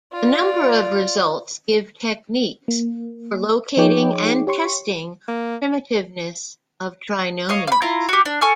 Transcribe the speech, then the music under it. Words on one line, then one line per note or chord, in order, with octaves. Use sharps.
A number of results give techniques for locating and testing primitiveness of trinomials.
F4 D5
A#3
F3 D#4 G#4 C#5 G5 D6
G4 C#5 C6 C#6
A#3
C#5 D#5 F5
F5 B5
E4 F4 A#5
F#4 G4
D4
A4 G#5 C#6 F6